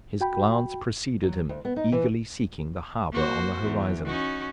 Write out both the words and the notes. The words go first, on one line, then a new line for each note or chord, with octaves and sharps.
His glance preceded him, eagerly seeking the harbour on the horizon.
F#4 G5 B5
F#3
D2
B3
D#4
E3
A#3 F#4 C5
E2
C#4 D#4 F#4